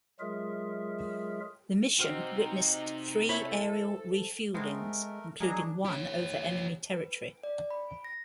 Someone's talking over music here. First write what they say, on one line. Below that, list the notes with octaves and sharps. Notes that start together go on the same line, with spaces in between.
The mission witnessed three aerial refuelings, including one over enemy territory.
F#3 G#3 F4 G#4 A#4 E5
C3 C4 D#4 F#4 C5 F6
E4 A4 C5 C#5 B5
G#3 A3 B3 C4 A#4 C5
F#3 A#3 D4 D#4 G#4 A#4 A#5
G4 C#5
B4
D5
B5
A#6